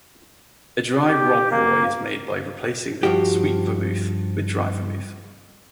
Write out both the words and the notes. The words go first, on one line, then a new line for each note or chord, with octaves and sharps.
A "dry" Rob Roy is made by replacing the sweet vermouth with dry vermouth.
G4
A#3
G2 F3 F#4 G4